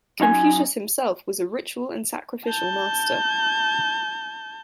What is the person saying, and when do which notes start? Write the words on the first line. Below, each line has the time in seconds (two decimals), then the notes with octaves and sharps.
Confucius himself was a ritual and sacrificial master.
0.20 F#2 D#4 E4 G#5
2.47 A5 G6